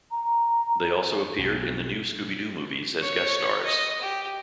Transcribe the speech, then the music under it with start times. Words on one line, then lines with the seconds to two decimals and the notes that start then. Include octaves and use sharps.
They also appeared in The New Scooby-Doo Movies as guest stars.
0.11 A#5
1.38 B1
3.01 C#5
3.65 D#5
4.01 G4